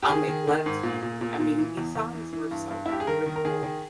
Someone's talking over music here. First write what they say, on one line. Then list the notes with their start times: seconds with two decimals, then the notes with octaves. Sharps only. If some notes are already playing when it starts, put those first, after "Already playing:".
I'll Make Love To You. I mean, these songs were so beautiful,
0.03 G4
0.09 D#3 G#4
0.28 D#3
0.47 D#3
0.66 G#2
0.83 A#2
1.02 A#2
1.21 A#2
1.40 A#2
1.58 E3
1.77 E2
1.95 E2
2.15 E3
2.33 E3
2.51 G2
2.71 G2
2.86 E4
2.88 G2 G4
3.00 G#4
3.07 D#3 A#4
3.26 D#3
3.36 A#4
3.45 D#3 G#4
3.63 D#3